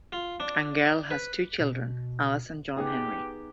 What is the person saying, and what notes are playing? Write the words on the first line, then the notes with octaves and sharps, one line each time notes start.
Angell has two children, Alice and John Henry.
F4
D4
B4
B2
B3 D#4 G4 G#4